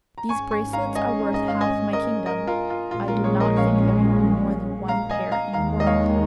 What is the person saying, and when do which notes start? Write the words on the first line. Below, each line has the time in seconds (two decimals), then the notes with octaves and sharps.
"These bracelets are worth half my kingdom; I did not think there had been more than one pair in the world."
0.18 A#5
0.29 G#1 G#2 G#3 C#4 G#5 C#6
0.51 G#5 C#6
0.73 F5 A#5
0.95 D#5 G#5
1.34 D#5
1.48 F5
1.61 D#5 G#5
1.93 A#4 D#5
2.26 A#4 D#5
2.47 F4 A#4
2.70 F4
2.91 A#1 A#2 G#3 C#4 F4
3.08 F4 A#4
3.24 G#4 C#5
3.40 A#4 D#5
3.57 C#5 F5
4.88 F5 A#5
5.10 D#5 G#5
5.32 F5 A#5
5.53 D#2 D#3 G#3 F5 A#5
5.80 D#5
5.87 C#5 F5